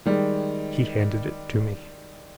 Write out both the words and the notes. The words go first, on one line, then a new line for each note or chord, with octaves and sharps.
He handed it to me.
D#3 G3 G#3